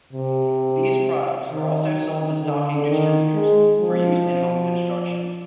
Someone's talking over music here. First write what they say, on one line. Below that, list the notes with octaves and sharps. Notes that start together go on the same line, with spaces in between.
These products are also sold to stocking distributors for use in home construction.
C3
D#3
D#3
D3
D#3
G#3
F3